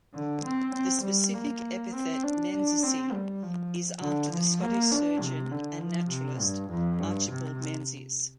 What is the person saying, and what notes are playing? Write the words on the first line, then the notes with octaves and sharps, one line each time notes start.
The specific epithet "menziesii" is after the Scottish surgeon and naturalist Archibald Menzies.
D3
C4
C4
G3
A#3
C4
D4
D4
C4
G3
F3
D3
F3
A#3
D4
C3
D3
F3
C3
G2
F2
G2
C3